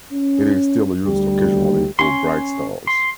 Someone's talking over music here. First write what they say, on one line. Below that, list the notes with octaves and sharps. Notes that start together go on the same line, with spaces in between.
It is still used occasionally for bright stars.
C#4
D2 G3 G4
C#4 C6
C6